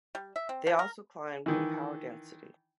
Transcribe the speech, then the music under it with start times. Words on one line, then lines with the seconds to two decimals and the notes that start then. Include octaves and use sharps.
They also climbed in power density.
0.15 G3
0.36 E5
0.49 C4
0.67 F3
0.79 A#4
1.46 D#3 E3